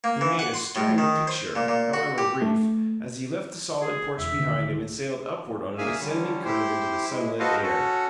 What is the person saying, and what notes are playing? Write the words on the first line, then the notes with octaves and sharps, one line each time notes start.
He made a stirring picture, however brief, as he left the solid porch behind him and sailed upward on an ascending curve into the sunlit air.
A#3
E3
F#5
C6
A2
D#3
C5
A#2
A#2
F#4
G4
A3
G#4
E1 E2 E5
C#2 D3 D#3
A#2 A#3 G#4 E5 F5 G#5
D3 G3 C#4
E4 G4 C5
G#3 E4
F#4 A4 B4 C5 D#5 F5
C#4 F#4 A4